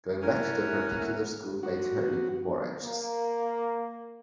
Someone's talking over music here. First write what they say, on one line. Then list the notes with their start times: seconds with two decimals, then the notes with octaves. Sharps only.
Going back to that particular school made her even more anxious.
0.22 C#4 E4 A#4 E5 F#5
1.63 F#4
2.83 A#3